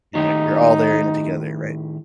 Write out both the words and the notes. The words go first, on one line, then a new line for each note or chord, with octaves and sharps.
ya you're all there in it together, right?
A2 D#3 D#4 G4